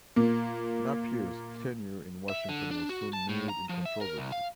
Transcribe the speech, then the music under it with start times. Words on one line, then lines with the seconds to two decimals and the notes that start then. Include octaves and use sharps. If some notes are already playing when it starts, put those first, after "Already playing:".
Napier's tenure in Washington was soon mired in controversy.
0.16 A#2 A#3
2.30 E5
2.49 D3
2.71 D4
2.89 F#4
3.13 A5
3.29 A2
3.49 A#5
3.69 F3
3.85 E5
4.01 A#4
4.18 C2
4.32 F5